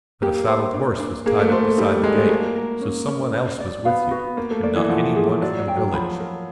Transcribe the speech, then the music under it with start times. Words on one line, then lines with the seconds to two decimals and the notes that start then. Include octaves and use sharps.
But a saddled horse was tied up beside the gate. So some one else was with you, and not any one from the village.
0.22 A#3 G4
0.47 C5
0.74 D4
1.00 D4
1.26 A#3 G#4
1.39 A3
1.52 A3 C5
1.78 G3 D#4
2.03 G#3 D#4
2.18 A3
2.29 A#3 F#4
2.56 A#4
2.81 C#4
3.08 C#4
3.33 B4
3.60 D5
3.85 B3 F5
4.11 B3 F#4
4.37 A#3 B4
4.51 A3
4.63 A#3 D5
4.76 E3
4.89 F3 F#5
5.15 F3 G#4
5.41 F#3 D5
5.59 F#3
5.68 G5
5.76 F#3
5.93 F3 B5
6.20 A#4